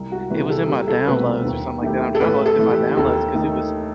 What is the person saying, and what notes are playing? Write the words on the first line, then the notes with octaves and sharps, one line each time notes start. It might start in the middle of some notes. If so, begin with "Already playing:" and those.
It was in my downloads or something like that. I'm trying to look through my downloads, 'cause it was
Already playing: C2
F#4
C3 E3 G3 B4
A4
C2 G4
A4
B2 A3 C4 F#4 B4
D#2
D#3 A3 E4 G4
A4
A2 B4
A4
E3 A3
G4
D#2 A4
D#3 A3 D#4